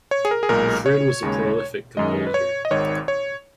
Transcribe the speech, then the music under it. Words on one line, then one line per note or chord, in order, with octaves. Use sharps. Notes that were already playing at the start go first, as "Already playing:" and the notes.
Frid was a prolific composer.
C#5
G#4
A#4
G#4
B1 A#2 G#3 A#4
C#5
D#2 C#3 G#3
F#2 D#3 G#3 D#5
B4
C#5
D#5
G#1 G#2 D#3 C#5
C#5